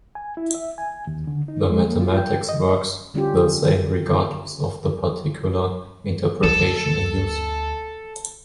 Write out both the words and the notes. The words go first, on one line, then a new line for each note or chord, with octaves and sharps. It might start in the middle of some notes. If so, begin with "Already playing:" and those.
The mathematics works the same regardless of the particular interpretation in use.
G#5
E4
E5
G#5
D#2
D3
D#4
G#3
A#3
F4
G5
D#5
D3 G3 C#4 F4 G4
D2 B3 A4 A5